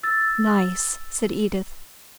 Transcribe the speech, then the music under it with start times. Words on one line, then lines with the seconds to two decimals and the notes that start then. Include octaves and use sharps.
"Nice!" said Edith.
0.03 E6 A6